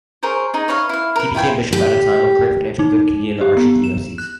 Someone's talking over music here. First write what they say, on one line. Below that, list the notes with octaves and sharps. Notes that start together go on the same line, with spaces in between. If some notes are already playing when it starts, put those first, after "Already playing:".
He became bishop at a time of great financial difficulty in the archdiocese.
G#4 A#4 C5 C#5
D#4 G#4
B4 C#5 D#5 F5
E4 F5
A#4 B4
E4 F4 G5 G#5
G4
D#4
G4
B3
E7
F#6